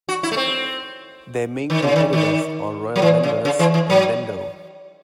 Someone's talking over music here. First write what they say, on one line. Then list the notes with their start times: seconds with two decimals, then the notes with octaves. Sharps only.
Their main competitors are Royal Vendors and Vendo.
0.09 F#4
0.23 E4
0.32 A3
0.37 C4
1.70 D#3
1.82 C#3
1.96 D#3
2.13 D#3
2.96 F#3
3.02 E3
3.23 C#3
3.45 C#3
3.59 E3
3.74 E3
3.90 F#3